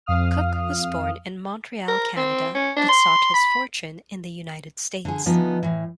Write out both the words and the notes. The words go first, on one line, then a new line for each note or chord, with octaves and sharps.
Cooke was born in Montreal, Canada, but sought his fortune in the United States.
F2 F5 D#6 F6
A#4
C4
C#4
D4
C6
B5
D3 G#4
D3 E3 F3 B3 D#4
A2 E3